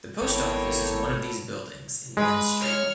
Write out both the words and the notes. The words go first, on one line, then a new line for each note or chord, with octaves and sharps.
The Post Office is one of these buildings in Mends Street.
G#1 E3 A#3 B3 A4 C#5 G5
G#3 B4
C#5 F6